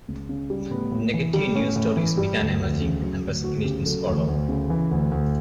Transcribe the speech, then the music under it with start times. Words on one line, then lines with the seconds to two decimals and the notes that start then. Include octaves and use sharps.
Negative news stories began emerging and resignations followed.
0.08 C#2
0.29 C#3
0.50 G3
0.71 A2 B3
0.92 A2
1.14 E3
1.34 G3
1.55 A2 C#4
1.76 A2
1.97 E3
2.18 G3
2.39 D2
2.60 D2
2.81 C#3
3.02 F#3
3.23 D2
3.44 D2 F#4
3.64 C#3 G4
3.86 F#3 A4
4.07 D2
4.28 D2
4.49 C#3
4.70 E3
4.91 D2
5.12 D2